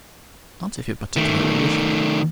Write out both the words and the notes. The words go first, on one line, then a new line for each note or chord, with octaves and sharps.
"Not if you particularly wish it."
D#3 A3